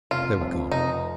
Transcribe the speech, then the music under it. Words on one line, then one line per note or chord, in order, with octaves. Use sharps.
They were gone.
F1 F4
F2
F1 D#4